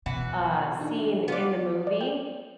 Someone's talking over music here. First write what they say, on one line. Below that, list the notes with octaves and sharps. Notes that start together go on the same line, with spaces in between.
uh, scene in the movie.
B2 E3 F#4 B4
F#6
D4 D#4 A4
B3 C#5 D5 F5 C6
D5
G5